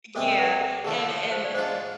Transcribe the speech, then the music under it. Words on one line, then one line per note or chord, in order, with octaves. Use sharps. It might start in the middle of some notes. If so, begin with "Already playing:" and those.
Yeah. And and e
C2 C3 G#3 C4 A4
B4
A4
D3 F3 A3 E4 G#4
A4
C5
D5
G#2 G#3 D4 F4 C5